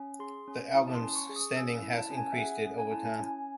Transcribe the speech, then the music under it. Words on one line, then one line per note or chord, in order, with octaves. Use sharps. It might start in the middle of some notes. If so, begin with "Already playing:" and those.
The album's standing has increased over time.
Already playing: C#4
G#4 C6
C#4
E4 D#6
A5
C6
C#4
C#6
G#4
D#6
C#4 E6
E4
A5
C#4
G#5
E5
G#4 F#5
C#4
G#5
E4 A5
G#5
C#4